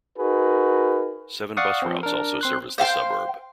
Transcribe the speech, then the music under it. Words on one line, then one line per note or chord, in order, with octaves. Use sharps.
Seven bus routes also service the suburb.
D#4 F#4 G#4 A#4 B4
D5 F5 F#5 C#6 D#6
F3 C4
D4 A#4
C4 C6 F#6
C5 F5 G5 C6